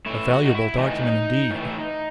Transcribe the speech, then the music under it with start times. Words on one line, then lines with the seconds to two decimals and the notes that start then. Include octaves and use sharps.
'A valuable document, indeed!'
0.06 A2 E3 E4
0.30 F#4
0.45 D#4
0.54 E4
0.78 A2 E3 D#4
1.50 A2 E3